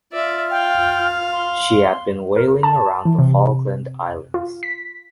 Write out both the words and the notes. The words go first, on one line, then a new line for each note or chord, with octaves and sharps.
She had been whaling around the Falkland Islands.
F4 D5 E5
F5 G5
C6
A#4
A5
E3
C3
F4
B6